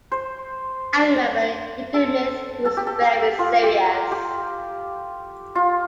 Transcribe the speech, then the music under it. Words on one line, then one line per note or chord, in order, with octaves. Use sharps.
I remember Hindemith who was very serious.
C5
A4
A4
G4
A4
G4
F4
G4
G4
F4